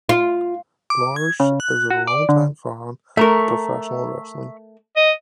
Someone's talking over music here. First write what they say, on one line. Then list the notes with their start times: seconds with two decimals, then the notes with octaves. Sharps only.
Lars is a longtime fan of professional wrestling.
0.09 F4
0.90 D6
1.16 G#6
1.40 C#3
1.60 F#6
1.90 F#4
2.07 D5
2.29 D3
3.17 A3 A#4 E5 A#5 C#6
4.96 D#5